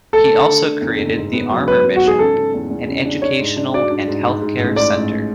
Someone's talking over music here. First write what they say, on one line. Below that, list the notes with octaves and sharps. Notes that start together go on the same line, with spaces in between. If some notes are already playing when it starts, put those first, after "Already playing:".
He also created the Armour Mission, an educational and healthcare center.
A3 A4
D3
D3
D3
E2
F#1
G#2
B3
F#3
F#3 B4
B3
F#4
G#2 G#4
C#3 A4
C#3
E2
E2
C#3
D4
D4 C#5
G#2
D4
F#4 D5
D4
G#2
G#2
G#2
A1
G#2 D5
A1